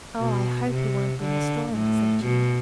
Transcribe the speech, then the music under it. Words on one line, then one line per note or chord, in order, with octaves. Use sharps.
"Oh, I hope he won't bring a storm," said Jean.
B2
C3
D3
A2
B2